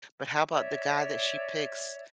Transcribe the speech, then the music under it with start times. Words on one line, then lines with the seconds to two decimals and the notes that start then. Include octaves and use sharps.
But how about the guy that she picks
0.51 C#5 D5 E5